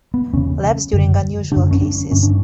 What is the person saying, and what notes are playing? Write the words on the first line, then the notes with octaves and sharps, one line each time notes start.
Labs during unusual cases.
B3
E2 C#3 C#4
F#2 D3
F#2 D3 D4
C#4
D4
G2 D3 C#4
D4